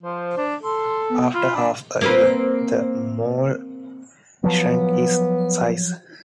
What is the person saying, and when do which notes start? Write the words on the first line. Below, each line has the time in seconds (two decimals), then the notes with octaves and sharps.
After half a year, the mall shrank its size.
0.03 F3 C5
0.38 D4
0.63 A4 C6
1.10 B3
1.35 F4 B5
1.55 D4
2.01 A#3 C4 B4
4.44 F3 F#3 B3